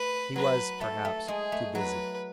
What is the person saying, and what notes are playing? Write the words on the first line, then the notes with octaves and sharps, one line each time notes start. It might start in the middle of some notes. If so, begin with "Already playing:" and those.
He was, perhaps, too busy.
Already playing: A3 B4
F#3 B4
A3 A4
A3
G#3 G#4
A3
F#3 B4